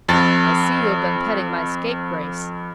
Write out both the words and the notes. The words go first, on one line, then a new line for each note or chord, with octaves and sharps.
"I see you have been petting my scapegrace."
F2 A6